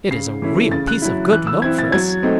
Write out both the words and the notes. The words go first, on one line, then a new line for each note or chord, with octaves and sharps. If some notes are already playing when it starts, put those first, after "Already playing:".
It is a real piece of good luck for us.
C#3 C7
E3 A3 C#4 E4
C#3 A6
F#6
F#3 C#4 E4
E3 F#6
E6
C4 E4 G#6
A6
F#3 G#6
A3 C4 D#4